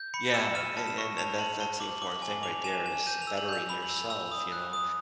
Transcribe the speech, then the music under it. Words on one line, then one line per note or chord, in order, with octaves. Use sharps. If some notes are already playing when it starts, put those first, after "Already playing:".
Yeah, and and and that's that's the important thing right there is bettering yourself, you know,
Already playing: G6
B5 C#7
E6 E7
F6 D#7
A5
E7
C#6
A5 F7
A5 F#7
A5 G7
D6 F#7
D6 F#7
F#7
G#5
F#7
D6 F7
G#5 E7
G#5
G6 D#7
F7
E6
F#7
G6 F7
B5 F7
F#7
E6
F7
E6
D#6
F#6
D#6